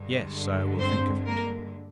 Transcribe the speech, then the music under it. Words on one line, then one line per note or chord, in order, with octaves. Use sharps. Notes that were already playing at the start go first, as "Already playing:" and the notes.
"Yes; I will think of it."
Already playing: G2 D3 G#3
C4 C5
A#3 A#4